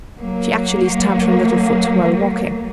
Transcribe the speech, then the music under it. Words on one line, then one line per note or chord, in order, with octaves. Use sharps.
She actually stamped her little foot while walking.
F#3 A#3